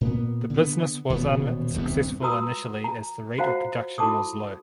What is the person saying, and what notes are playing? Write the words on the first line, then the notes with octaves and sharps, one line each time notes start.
The business was unsuccessful initially as the rate of production was low.
A#2 A#3 B3
D3 B3
D#1 E2 B2 B3
D#1 C2 G2 B3
F4 F#4 B4 A#5 D#6 E6
A#5
F4 F#4 C5 F5 F#5 A#5
E4 F#4 A4 A5 D6 D#6